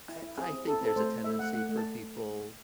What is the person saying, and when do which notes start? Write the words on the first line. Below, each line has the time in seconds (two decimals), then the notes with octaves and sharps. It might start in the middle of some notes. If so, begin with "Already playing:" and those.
I I think there's a tendency for people
0.09 E4
0.22 E4
0.38 C4 G#4
0.52 C4
0.67 E4 A4
0.81 C4 A4
0.96 A3 C5
1.10 A3
1.24 A3 E5
1.39 A3 F#5
1.53 A3 F#5
1.69 A3
1.77 A5